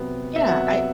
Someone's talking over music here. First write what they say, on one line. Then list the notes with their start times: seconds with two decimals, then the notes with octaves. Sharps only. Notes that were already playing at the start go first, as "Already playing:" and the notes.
Yeah, I
Already playing: C3 F#3 B3
0.36 E5
0.47 C3 F#3 B3 F#5
0.67 E5